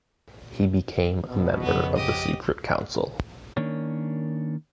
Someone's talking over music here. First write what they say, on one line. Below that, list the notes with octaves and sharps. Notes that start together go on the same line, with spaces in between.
He became a member of the secret council.
B2
F2 C#3 B3
G4 D#5
D#3 A#3 C#4 D4 C#5